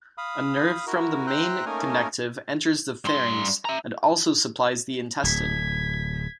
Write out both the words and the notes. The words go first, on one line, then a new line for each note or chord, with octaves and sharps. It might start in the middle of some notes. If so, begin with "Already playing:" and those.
A nerve from the main connective enters the pharynx and also supplies the intestine.
F5 B5 D#6
E4 F#4 A#4
C5 E5 G5 A#5 F#6
A3 A#3 C#4 D#4 A#4 G#5
G2 C6
E5 A#5
D1 G#6 B6